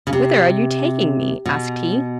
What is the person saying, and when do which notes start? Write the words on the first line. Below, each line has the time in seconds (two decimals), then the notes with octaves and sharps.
"Whither are you taking me?" asked he.
0.07 C#3
0.13 C3
1.45 B2